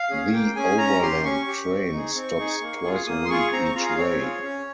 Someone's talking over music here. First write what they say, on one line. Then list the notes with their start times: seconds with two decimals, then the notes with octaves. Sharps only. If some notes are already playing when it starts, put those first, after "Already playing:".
"The Overland" train stops twice a week each way.
Already playing: F5
0.10 C#4 G#4
0.33 A#3 G5
0.56 C#4 G#4 G#5
0.78 C#4 A#5
1.02 G4 C6
1.24 C#4 C#6
1.48 G4
1.69 C4
1.92 D#4 G#4
2.15 C4
2.38 D#4 G#4
2.61 A#3
2.84 F4 G#4
3.06 A#3 D#6
3.25 C6
3.30 F4 G#4 C#6
3.52 C4 A#5
3.64 C#6
3.75 F4 G#4 A#5
3.86 F5
3.97 C4 C#5
4.21 F4 G#4
4.44 C#4